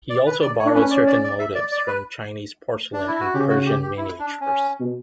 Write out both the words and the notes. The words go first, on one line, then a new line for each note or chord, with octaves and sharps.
He also borrowed certain motifs from Chinese porcelain and Persian miniatures.
D5
B4
D5
C#5
D4
C#4 B4
D5
D5
D5
E5
D5
D5
B4
D4
E4
F#4
C#3 G4
F#4
G4
G4
E4
D4
C#4
B2